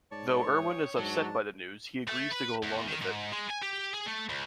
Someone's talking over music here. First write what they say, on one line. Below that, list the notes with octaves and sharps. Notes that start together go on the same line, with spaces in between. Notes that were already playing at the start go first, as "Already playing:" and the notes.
Though Irwin is upset by the news, he agrees to go along with it.
G#2 C#5 D5 A5
G5 D#6
G#2 F#3 D4 A5
A3
B4
E2
D#3
G#2
G#3
G#5
G4
G#4
A3
C#2